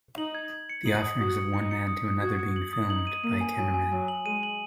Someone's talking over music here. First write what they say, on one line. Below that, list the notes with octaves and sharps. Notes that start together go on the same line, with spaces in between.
The offerings of one man to another being filmed by a cameraman.
D#4 F#7
G#6
G#6
C#7
D#4 F#7
D#6
F#4 D#6
C#7
D#4 C#7
C#7
D#6
D#6
F#4 G#6
C#7
F#7
D#6
D#4 F#7
D#7
A#3 D#7
G#5
F#3 G#5
G#5
F#3 G#5
F#7
G#3 D#7
F#7